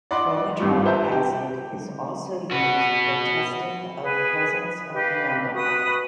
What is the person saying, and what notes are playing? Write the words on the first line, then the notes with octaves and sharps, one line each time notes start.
Chromotropic acid is also used for testing of presence of formaldehyde.
D5 D#5 F#5 B5 C6 D6
G#1 G2 D#3 G3 F4 C#6
B4 C5 E5 A5 A#5 G6
G4
F#4 B4
G#4 B4
G4 B4 D#5 F5
F#4 B4 D#6